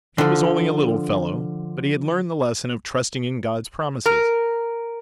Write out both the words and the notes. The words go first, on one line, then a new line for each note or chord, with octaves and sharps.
He was only a little fellow but he had learned the lesson of trusting in God's promises.
D3 F3
A#4